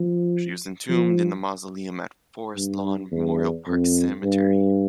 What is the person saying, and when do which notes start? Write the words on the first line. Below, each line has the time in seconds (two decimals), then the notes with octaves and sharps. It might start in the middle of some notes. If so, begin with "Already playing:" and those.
She was entombed in a mausoleum at Forest Lawn Memorial Park Cemetery.
Already playing: F3
0.89 F3
2.56 G2
3.12 E2
3.67 F2
4.23 G2